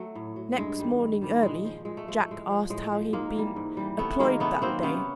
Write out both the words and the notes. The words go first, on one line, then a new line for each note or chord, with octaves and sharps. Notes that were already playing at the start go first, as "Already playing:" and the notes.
Next morning early, Jack asked how he'd be employed that day.
Already playing: F#3 A3
A2
F#3
G2 G#3
D#3 G3
G2
D#3 G3
A#2 G#3
F3
A#2 G#3
A3
F3 G#3
A3
A2 G#3
F3
A2 G#3
F3
G#2 G#3 A#3
E3 G3
G#2
E3 G3
C3 A3 B3
D#3 F#3 G#3 A#3
C3 A3 B3
D#3 F#3 A#3 C4
C3 B3 C#4